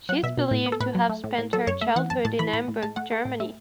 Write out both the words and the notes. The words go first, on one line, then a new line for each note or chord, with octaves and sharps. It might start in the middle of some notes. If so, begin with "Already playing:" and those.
She is believed to have spent her childhood in Hamburg, Germany.
F#3 F#5
B2 E5
B2
A2
B3
A4
A2 B4
F#3
A3
A2
A2
F#3 A4
F#2 C#5
A3 E5
E3 F#5
F#2 A5
A2 A5
E3 B5
A2 B5
A2
A2 A5
A3 F#5
A3
A2
A3 E5